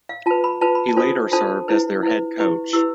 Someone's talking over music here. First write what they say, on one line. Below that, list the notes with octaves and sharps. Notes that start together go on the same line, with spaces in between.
He later served as their head coach.
F5
F4 B4 A5
B5
F4 B4 A5
B5
A5
D4 F4 A4 C5
D4 F4 A4 C5 A5
E4 B4
E4 B4
E4 G4 B4
E4 G4 B4 E6